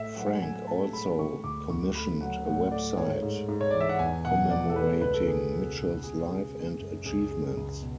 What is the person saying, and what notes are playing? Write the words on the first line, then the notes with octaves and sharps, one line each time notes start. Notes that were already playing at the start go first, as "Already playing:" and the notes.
Frank also commissioned a web site commemorating Mitchell's life and achievements.
Already playing: A2 E5
F#3 F#5
F#3 G#5
A2 A5
G#3 B5
D3 C#6
D2 D6
D2 C#6
A3 B5
F#3 F#5
A2 F#5
A2 D5
G#2 C#5
G#2
G#2
C#5
E3 D5
E5
F#5
E2 G#5
B2 F#5
E2 D5
A4
A3 B4
C#2 B4
A4
C#2 G#4
B2
B2
G#3 G#4
C#3
G#3
F#2
C#2 G#4
G#3
C#2
B2